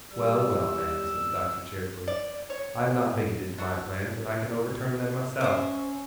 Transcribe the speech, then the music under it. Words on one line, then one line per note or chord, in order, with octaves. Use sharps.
'Well, well, ma'am,' said the Doctor cheerfully, 'I am not bigoted to my plans, and I can overturn them myself.
G3 E6
D5
C#5
D4 F#4 A4
C#4 C5 E5